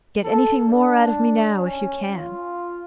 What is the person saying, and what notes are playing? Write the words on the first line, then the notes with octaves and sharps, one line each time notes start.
Get anything more out of me now, if you can.
A4
D4
C#4
F4